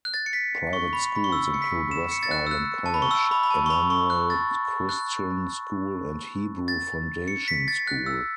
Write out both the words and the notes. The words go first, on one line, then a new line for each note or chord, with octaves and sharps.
Private schools include West Island College, Emmanuel Christian School, and Hebrew Foundation School.
F#6
A6
C#7
B6
C#6
B5
B5
C#6
E6
C#7
B6
E7
C#7
A6
F#6
E6
F#6
A5
B5
C#6
E6
B5
B5
A5
C#6
B5
C#6
F#6
A6
F#6
A6
C#7
B6
A6
F#6
E6